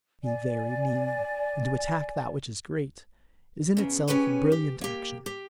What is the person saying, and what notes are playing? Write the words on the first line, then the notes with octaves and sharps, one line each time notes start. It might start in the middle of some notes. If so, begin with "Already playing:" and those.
To be very mean, and to attack that which is great, is in itself a brilliant action.
D5 G#5
E2 C#3
C#4 F4 G4 G#4 B4 C#5
G4
A#3 G4
G4